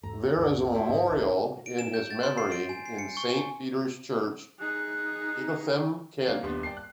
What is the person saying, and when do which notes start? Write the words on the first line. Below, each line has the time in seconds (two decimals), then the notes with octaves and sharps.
There is a memorial in his memory in Saint Peter's Church, Ightham, Kent.
0.03 E2 G#2 A4 A#5
0.36 D2 G2 F#3
0.74 E4 F#4 A4 C5
0.89 G#2 D#5
1.08 D1 A1 D#4
1.66 D7
1.79 E7
1.94 G6
2.11 A6
2.23 C6
2.38 C7
2.52 D7
2.69 G#5
2.86 C7
2.98 C#7
3.17 C#6
3.29 G#5
4.60 D#4 G#4 F#6
6.27 F#3 A#3 F5
6.43 D#1 G3 B3 D4 C6
6.63 D5 G5 A5 C7
6.77 F#6